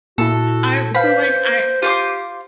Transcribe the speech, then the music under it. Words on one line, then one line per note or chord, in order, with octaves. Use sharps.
I so like I
A#2 E4 F#4 A4
B4 C5 F5 B5
F4 G4 C5 D6